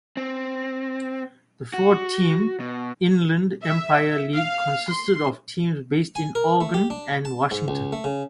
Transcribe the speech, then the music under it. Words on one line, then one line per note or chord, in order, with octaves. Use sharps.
The four–team Inland Empire League consisted of teams based in Oregon and Washington.
C4
F#4
B2
E5
F5
C6
G#5
A#4
A3
G4
D4
A5
G#2
C#2
A3
C#3